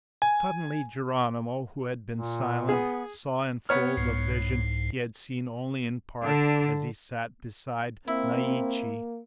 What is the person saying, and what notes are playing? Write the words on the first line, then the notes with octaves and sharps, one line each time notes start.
Suddenly Geronimo, who had been silent, saw in full the vision he had seen only in part as he sat beside Naiche.
G#5
A#2
B3 G#4
B3 C#5 F6
C2 G#2 C7
D3 D4
A#3 C4 E4